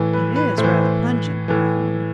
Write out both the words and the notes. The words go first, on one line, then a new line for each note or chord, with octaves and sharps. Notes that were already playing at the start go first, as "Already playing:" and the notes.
"It is rather pungent," I owned.
Already playing: A2 E3
B4
B4
A2 C5
E3
A2 E3